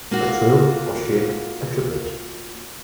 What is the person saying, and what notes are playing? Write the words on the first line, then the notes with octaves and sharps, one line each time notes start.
A trill, or shake a triplet.
A#3 F4 F#4